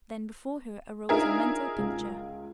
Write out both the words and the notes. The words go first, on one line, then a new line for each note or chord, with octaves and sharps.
Then before her arose a mental picture.
D4 D#4 F4 G#4 A#4 E5
C#2